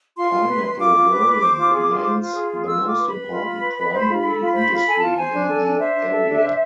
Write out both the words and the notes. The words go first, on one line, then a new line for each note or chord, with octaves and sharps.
Pineapple growing remains the most important primary industry in the area.
F4 C6
F4
B4
B4
F4 D6
F4
B4
B4
C5
F4
G#4
F4
C5
F4
G#4
F4
F4 E6
F4
D6
B4
B5
B4
F4
F4
B4
B4
C5
F4
A4
F4
C5 B5
F4 B5
A4 G#5
A5
F4
C5 G#5
D4
A4
D4
C5 E5
D4
A4
D4
C5